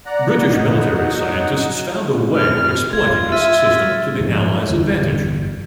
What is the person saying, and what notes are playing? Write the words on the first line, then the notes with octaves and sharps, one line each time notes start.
British military scientists found a way of exploiting this system to the allies' advantage.
D5 F#5 A#5
F#3 D#4 F#5
F6
F4 G#6
E5 F6 A6 D#7
G#2 F3 G3 G#3
G1 E2 B2